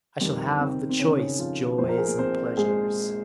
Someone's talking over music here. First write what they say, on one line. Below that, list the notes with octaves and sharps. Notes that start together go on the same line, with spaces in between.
I shall have the choice of joys and pleasures.
F2 D#3 G3 C4
C4
C4
C#3 C#4
C4
C#3 C#4
F3 F4
A#1 A#2 F3 C5
A#4
G#4
A#3 A#4
C4 C5
G#3 G#4